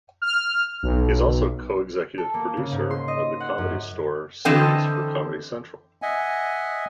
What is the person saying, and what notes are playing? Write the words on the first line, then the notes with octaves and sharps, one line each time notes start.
He is also co-executive producer of The Comedy Store series for Comedy Central.
F6
B1
A4
A#3
C#3
G#2
C6
D#5
F#5
F#2
D3 E3 C4 A4 D#5 G5
D#5 E5 F#5 G#5